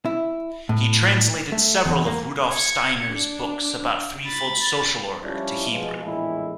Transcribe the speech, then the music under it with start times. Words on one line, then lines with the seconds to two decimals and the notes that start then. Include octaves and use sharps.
He translated several of Rudolf Steiner's books about Threefold Social Order to Hebrew.
0.05 E4
0.69 A2
1.52 A3
1.86 E2
2.06 A#3
2.52 G#6 C#7
3.11 D4
4.26 B5 A6
5.23 F3 G3 C#4 D4 E4
5.70 B2 F3 G#3
6.04 A#1 E2 A2 E3 G#3 E4